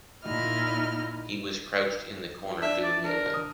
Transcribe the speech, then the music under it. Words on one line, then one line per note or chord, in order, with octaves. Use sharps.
He was crouched in a corner doing yoga.
A#2 D#4 E4 D#5 F6
D4 E5
D5
D4 A#4
D#6